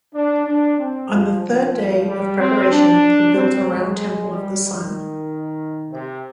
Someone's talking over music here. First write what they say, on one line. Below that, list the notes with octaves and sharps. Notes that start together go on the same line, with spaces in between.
On the third day of preparation, they built a round temple of the Sun.
D4
D4
C4
F3
F3
G3
C4
D4
C4
G#3
G3
D#3
C3